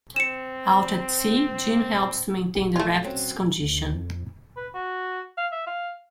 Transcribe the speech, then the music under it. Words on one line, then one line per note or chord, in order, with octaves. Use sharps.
Out at sea, Jin helps to maintain the raft's condition.
C4 C#7 E7
A1 G4
A3 F4
F#3 C4 C#4
D2
F2
B4
F#4
F5
E5
F5